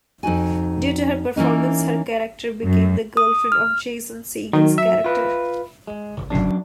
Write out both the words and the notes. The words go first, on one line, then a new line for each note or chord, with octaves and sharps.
Due to her performance, her character became the girlfriend of Jason Segel's character.
F2 D#4 F#4 G#5
E3 A#3 C#4 D#4
F#2
D#6
F6
D#3 F#3
E5
F4 B4
G#3
F#2 D4